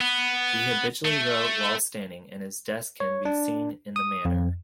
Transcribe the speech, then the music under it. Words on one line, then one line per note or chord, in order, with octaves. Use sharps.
He habitually wrote while standing, and his desk can be seen in the manor.
B3
A3
C#5
D4
D#6
F2